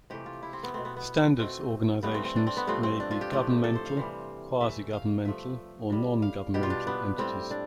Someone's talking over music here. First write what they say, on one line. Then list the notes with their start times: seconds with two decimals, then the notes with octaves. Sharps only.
Standards organizations may be governmental, quasi-governmental or non-governmental entities.
0.10 C3 E3 A3 G4
0.26 F4
0.43 E4
0.53 C4
0.63 B3
0.74 B2 A3 C4
0.85 B3
0.97 B3
1.39 B2 A3 C4
2.03 G2 E3 A3 B3
2.14 C4
2.25 C4
2.36 D4
2.47 C4
2.57 B3
2.67 G2 F3 A3 C4
2.83 C4
3.00 D4
3.11 F4
3.21 G4
3.32 A2 F3 A3
3.64 A4
3.75 C5
3.86 F5
3.97 C3 E3 G3
4.61 C3 E3 A3 E5
4.93 F5
5.25 G2 F3 A3 E5
5.90 A2 G3
6.22 F5
6.54 B2 G3 G4
6.63 F4
6.70 D4
6.87 B3
7.18 A2 G3 C4
7.51 D4